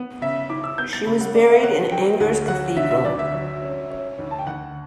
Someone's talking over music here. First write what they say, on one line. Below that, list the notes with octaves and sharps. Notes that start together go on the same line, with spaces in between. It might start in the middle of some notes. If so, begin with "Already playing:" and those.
She was buried in Angers Cathedral.
Already playing: B3
C#3 E5
E4 D6
E6
B3 G6
A6
C#3 B5
F#5
C#3 D5
E5
C#4 F#5
F#3 G5
D2 F#5
F#3 F#5
D3 E5
E5
D2 D5
E5
F#3
C#4
C#4
D2
A5
G5
D2 F#5